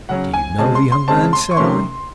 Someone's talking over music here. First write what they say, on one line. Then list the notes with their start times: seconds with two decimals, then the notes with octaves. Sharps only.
"Do you know the young man?" said I.
0.09 C#3 F#3 C#4 F#5
0.34 G#5
0.58 C#3 G#3 C4 A5
0.75 C6
0.92 C6
1.08 C#3 G#3 C4 A5
1.33 C6
1.51 C#6
1.57 C3 D#3 A3 C#4 C6